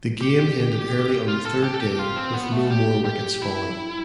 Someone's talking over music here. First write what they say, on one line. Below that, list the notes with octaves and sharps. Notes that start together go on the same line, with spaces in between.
The game ended early on the third day, with no more wickets falling.
G4
F4
A4
G4
A4
G4
F4
C4
B3
A3
G4
G4
E4